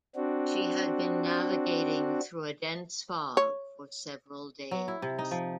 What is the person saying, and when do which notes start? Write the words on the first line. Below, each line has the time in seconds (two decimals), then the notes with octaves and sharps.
She had been navigating through a dense fog for several days.
0.16 C4 D4 F#4
3.37 C#5
4.71 F#3
4.88 E4
5.02 C3
5.19 D#4
5.31 F3